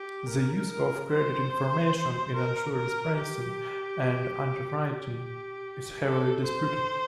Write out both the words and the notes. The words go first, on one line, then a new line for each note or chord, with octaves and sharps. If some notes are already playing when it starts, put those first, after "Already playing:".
The use of credit information in insurance pricing and underwriting is heavily disputed.
Already playing: G4
A#4
A#4
C5
A#4
A#4
G4
G4
A4
C5